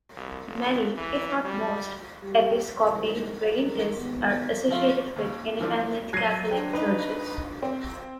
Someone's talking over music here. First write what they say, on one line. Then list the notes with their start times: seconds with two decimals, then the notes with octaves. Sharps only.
Many, if not most, "episcopi vagantes" are associated with Independent Catholic Churches.
0.17 C2
0.46 F1
0.98 E3
1.45 G3
2.23 G3 G4
2.84 C2 F2 A2 C3 D#3 G#3
3.54 E3 G3 G#3 D#4 G#4 A#4
3.96 G#1 D#2 B3
4.71 F3 A3 F4
5.16 D#2 C#3
5.61 E3 F3 D4
6.13 F#3 G#6 A#6 C7 D#7
6.50 D4 C5 G5
6.73 D#4 B4
7.62 C4